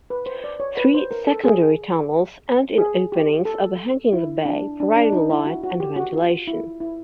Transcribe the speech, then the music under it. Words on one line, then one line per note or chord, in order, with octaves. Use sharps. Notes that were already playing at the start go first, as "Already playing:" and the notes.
Three secondary tunnels end in openings overhanging the bay, providing light and ventilation.
B4
C5
D5
C#5
B4
C5
A#4
A4
G#4
G#4
G4
A4
E4
D4
D4
D4
D#4
E4
F#4
F#4
G4
F#4
F4
E4
E4